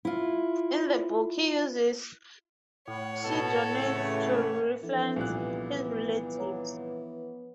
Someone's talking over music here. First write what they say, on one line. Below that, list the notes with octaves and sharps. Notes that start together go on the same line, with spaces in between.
In the book he uses pseudonyms to reference his relatives.
E4 F4
A2 C#5 F#5
B2 A4
C#3 E3 A3
E3 F3 D4 A4
C2 A#2 B3 F#6
C#5 F#5 A#5